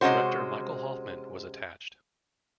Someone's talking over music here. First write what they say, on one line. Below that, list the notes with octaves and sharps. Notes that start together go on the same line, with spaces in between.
Director Michael Hoffman was attached.
C3 G#3 C#4 F#4 C5